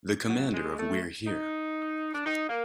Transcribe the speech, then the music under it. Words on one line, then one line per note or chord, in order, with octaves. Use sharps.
The commander of We're Here!
F#3
G#3
A3
D#4
D4
D#4
A#3